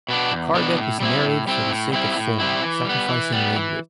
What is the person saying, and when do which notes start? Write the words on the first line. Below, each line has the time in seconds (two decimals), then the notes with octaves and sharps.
The car deck was narrowed for the sake of form, sacrificing lane width.
0.09 B2 B3 D4
0.32 E2
0.54 B2 B3 D4
0.77 A2
1.00 G3 C4 E4
1.24 A2
1.47 G3 C4 E4
1.70 A2
1.93 G3 C4 E4
2.17 A2
2.40 G3 C4 E4
2.63 E3
2.85 G3 B3
3.09 E3
3.32 G3 B3
3.55 E3